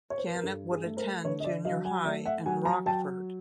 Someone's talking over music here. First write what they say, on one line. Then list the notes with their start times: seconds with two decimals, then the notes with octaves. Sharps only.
Janet would attend Junior High in Rockford.
0.10 C#5
0.18 C5
0.27 B4
0.35 A#4
0.43 G2 A4
0.71 G#4
0.83 A3
0.97 A#4 C5
1.24 D3 B4 C#5
1.40 D#5
1.44 D5 E5
1.65 F#3 D#5 F5
1.85 F#5 G#5
2.05 A3 D5 E5
2.25 E5 F#5
2.46 F#3 F#5 G#5
2.65 G#5 A#5
2.86 F#3 G5 A5